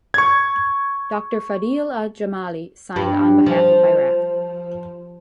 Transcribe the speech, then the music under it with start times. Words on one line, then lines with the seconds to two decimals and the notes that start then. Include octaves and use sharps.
Doctor Fadhil Al-Jamali signed on behalf of Iraq.
0.14 C#6 G#6
2.96 G2
3.46 F3